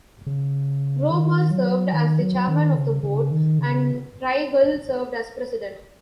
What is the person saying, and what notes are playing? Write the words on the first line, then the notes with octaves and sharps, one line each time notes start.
Roemer served as the chairman of the board and Traigle served as president.
C#3
D#3
F#3
D#3
F#3
D#3
C#3
C#3
D#3
C#3